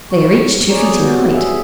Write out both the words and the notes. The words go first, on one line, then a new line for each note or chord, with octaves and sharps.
They are each two feet in height.
C#6
G#4 C#5 D5 A#5
B3 F#4 G4
G#4 E5